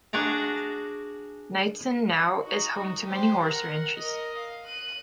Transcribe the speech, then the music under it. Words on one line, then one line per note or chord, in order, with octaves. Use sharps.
Knightsen now is home to many horse ranches.
D4 F#4 G#4 D5 A#5
D#4 F#4
G4 C5
A#4 F#5
A#4 D#5
F5
F#6 D#7